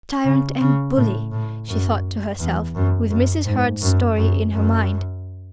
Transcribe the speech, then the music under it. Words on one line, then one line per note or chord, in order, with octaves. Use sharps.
"Tyrant and bully!" she thought to herself with Mrs. Hurd's story in her mind.
C#3
C#3
A2
A2
F#2
E2
F#2
F#2
G#2
F#2
F#2
F#2